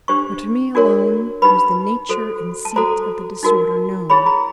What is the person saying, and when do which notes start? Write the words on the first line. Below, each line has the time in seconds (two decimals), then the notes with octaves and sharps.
But to me alone was the nature and seat of the disorder known.
0.08 D4 G4 C5 C#6
0.75 D4 F#4 A#4 C#5
1.42 D#4 G4 B4 B5
2.09 F#4 A4 C5
2.65 A5
2.76 F#4 A4 C5 A#5
3.43 D#4 F#4 A#4
4.10 E4 G#4 C#5 B5
4.26 A#5